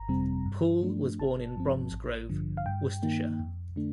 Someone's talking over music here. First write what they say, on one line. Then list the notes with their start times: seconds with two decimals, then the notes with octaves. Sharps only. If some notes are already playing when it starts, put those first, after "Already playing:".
Poole was born in Bromsgrove, Worcestershire.
Already playing: G1 A#5
0.09 F2 C3 G3 C4
0.46 G2
0.82 F3 A3 D4
1.19 G1 A5
1.56 G2 F3 C4
1.92 A1
2.29 G2 D3 F3
2.57 F5
2.66 G2 G5
3.03 D#3 A#3 D#4
3.40 F2
3.76 D3 A3 D4